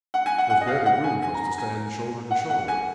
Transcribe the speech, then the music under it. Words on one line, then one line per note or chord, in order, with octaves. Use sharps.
There was barely room for us to stand, shoulder to shoulder.
F#5
G#5
F#5
F#5
D#5
F5
F#5
G#5
G#5
A#5
A#5
G#5
F#5
F#5
G#5